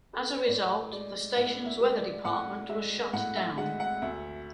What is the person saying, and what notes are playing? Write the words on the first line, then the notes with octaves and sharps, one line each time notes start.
As a result, the station's weather department was shut down.
A4
B4
C#5
A2 D5
G#3 D5
A2 F#5
E5
G#3
D5
A2 F#5
G#3 E5
A2 F#5
E5
G#3 F#5
F#5
D2 E5